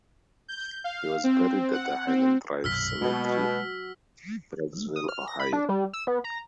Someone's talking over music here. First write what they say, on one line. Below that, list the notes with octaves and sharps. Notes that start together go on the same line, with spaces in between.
He was buried at Highland Drive Cemetery, Brecksville, Ohio.
G6
F5
C4
F#5
C4
B1 F#2 A#2 E6 F6 B6
B2 G#3 A#3 F#4
D#6
F6
A#6
B5
D4
G3
E6
B3
A#5